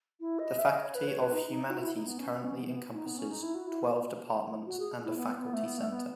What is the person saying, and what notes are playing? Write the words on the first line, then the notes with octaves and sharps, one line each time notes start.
The Faculty of Humanities currently encompasses twelve departments and a faculty centre.
E4
D#5
E5
D#5
C#5
B4
C#5
B4
D#4
D#4
F#4
E4
D#4
B3
C#4
B3
C#4
B3
B3
D#4
B3
C#4
D#4
E4
F#4
E4
F#4
G#4
E4
B3
B3
B3
A3
B3
A3
B3